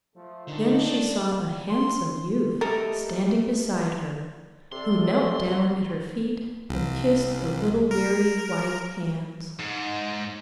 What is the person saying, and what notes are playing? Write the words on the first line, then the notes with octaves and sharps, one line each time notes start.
Then she saw a handsome youth standing beside her; who knelt down at her feet and kissed the little weary white hands.
F3 A3
D3 D#3 D#4
D4
C6
G3 A3 A4 A#4 D#5 D6
C3 A4 D5 C6
C2
A#4
G#2